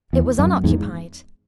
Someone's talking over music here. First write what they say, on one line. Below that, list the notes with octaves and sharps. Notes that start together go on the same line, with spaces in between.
It was unoccupied.
E2
F#2
E2 G#2